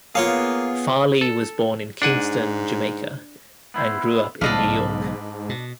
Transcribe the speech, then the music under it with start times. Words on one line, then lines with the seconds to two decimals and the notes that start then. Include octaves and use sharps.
Farley was born in Kingston, Jamaica, and grew up in New York.
0.15 A#3 B3 F4 G#4 C#5 F5
1.21 A4
2.02 G#2 D4 F#5 G#5
3.74 B3 E4 C5
4.41 B1 G#2 C#3 D4 A4 B4 D#5 F5
5.49 B2